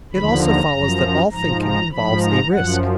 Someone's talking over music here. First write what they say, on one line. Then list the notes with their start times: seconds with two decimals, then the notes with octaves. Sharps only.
It also follows that all thinking involves a risk.
0.12 D#2 D3 F3 B5
0.42 A#5
0.72 F#2 F3
1.31 G#2 F3 A#5
1.61 A#5
1.91 G#2 F3 B5
2.21 A#5
2.51 F#2 F3 F#5